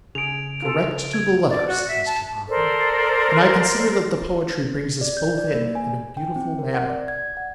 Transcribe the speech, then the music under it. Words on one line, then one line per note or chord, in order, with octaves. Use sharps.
'Correct to the letter!' said Mr Boffin. 'And I consider that the poetry brings us both in, in a beautiful manner.'
C#3 G#4 D7 F7
F4 G#4 A4
G#6
D5
F#4
E5
A5
A4 A#4 C5 D5
D5
G6
D5
A#3
G#5
G5
C4
A#4
F#5
D5
G#6
F#5